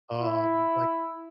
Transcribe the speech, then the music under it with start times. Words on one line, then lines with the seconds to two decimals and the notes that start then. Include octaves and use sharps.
um, like,
0.21 E4